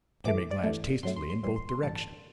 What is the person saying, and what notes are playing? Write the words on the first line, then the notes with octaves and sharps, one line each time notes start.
Jimmy glanced hastily in both directions.
F#2 E3 A3 D6
D5
G2 E3 A3
G2 F#3 A3 C6
C6
C6
G1 F#2 E3 G3 C6
C6
C6
A1 G2 E3 G3 A5
A5